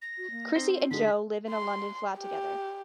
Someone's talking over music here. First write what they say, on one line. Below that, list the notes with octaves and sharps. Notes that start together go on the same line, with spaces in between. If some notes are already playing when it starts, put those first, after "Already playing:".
Chrissy and Jo live in a London flat together.
A#6
F#4
A#3
C4 D#4 C7 G7
F#4
D3 G#3 D#4 B6
C6
G4